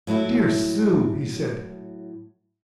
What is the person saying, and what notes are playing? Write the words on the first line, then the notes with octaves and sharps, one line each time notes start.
"Dear Sue!" he said.
A2 F#3 A3 E4